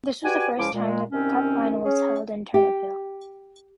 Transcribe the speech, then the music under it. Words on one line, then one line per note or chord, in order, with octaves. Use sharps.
This was the first time the cup final was held in Ternopil.
F#4 G4 B4 D5 G#5
C#2 F3 G#3 C#4 E4 D6
A#2 G#3
C2 D#3 C4 C#4
C#4 G#4
G4